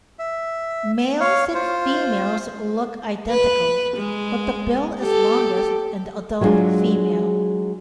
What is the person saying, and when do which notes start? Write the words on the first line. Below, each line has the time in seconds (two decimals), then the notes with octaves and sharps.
Males and females look identical, but the bill is longest in the adult female.
0.19 E5
1.20 C#5 F5
1.55 F4 C5
3.30 B4
3.98 G#3
5.00 G4 A4
6.41 F#3 G#3 B3 D4 F4 G#4